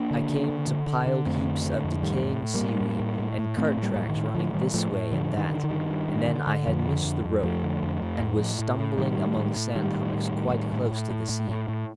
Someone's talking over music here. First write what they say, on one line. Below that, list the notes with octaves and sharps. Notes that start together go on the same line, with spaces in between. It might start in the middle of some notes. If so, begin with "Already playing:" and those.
I came to piled heaps of decaying seaweed and cart tracks running this way and that, and then I had missed the road and was stumbling among sand hummocks quite close to the sea.
Already playing: A#3 D4
D3
D3
D3
D3
D3
D3
F2 A3 C4
D3
D3
F2
A2 D#3 G3
A2
A2
G3 A#3
A2
A2
A2
A2
A2
A2 A3 C4
A2
G3 A#3
A2
D#3
A2
A2 D3 F3
A2 D#3 G3
A2 F3 A3
A2
G2 D3 F3
G2
D#3
D3
D#3
G2
G2
G2
D3
D3
F2 D3 F3
D3
F2
F2
F2 F3 A3
D3
F2
F2
A2
A2
A2
A2
A2 D#3 G3
A2
A2
A2
A2 D#3 G3
A2
A2
A2
A2
A2
A2
A2
A2
A2
A2